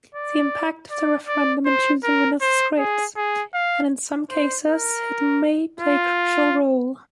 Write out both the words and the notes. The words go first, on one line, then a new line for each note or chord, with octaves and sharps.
The impact of the referendum in choosing winners is great, and in some cases it may play crucial role.
D5
D5
D5
C5
A#4
C5
G#4
G#4
F5
C5
A#4
F4